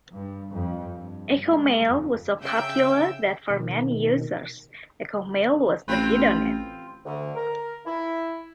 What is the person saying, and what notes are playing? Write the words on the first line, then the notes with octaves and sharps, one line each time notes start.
Echomail was so popular that for many users, Echomail "was" the FidoNet.
G2
F2
G2
G#3
F2
C#3 E5 G5 E6 G6
B2 D#3
A1 C4 F4 B4
D2 D3
A#4
E4